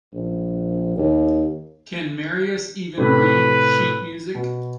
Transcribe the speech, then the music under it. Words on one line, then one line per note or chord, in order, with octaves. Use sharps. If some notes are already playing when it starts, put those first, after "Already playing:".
Can Marius even read sheet-music?
A#1
D#2
A2 C3 B4
B2